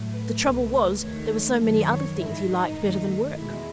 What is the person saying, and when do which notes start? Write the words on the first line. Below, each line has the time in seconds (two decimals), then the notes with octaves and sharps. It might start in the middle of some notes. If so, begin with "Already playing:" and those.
"The trouble was, there were so many other things he liked better than work."
Already playing: A2 F#3 A3
0.13 B4
0.41 C#2 B2 A3 B4
1.01 D#2 D#3 A3 C#5
1.60 F#2 D#3 F#3 A4
1.89 C#5
2.18 G#2 D#3 G#3 E4
2.48 D#4
2.77 F#2 D#3 A3
3.37 E2 B2 G#3 E4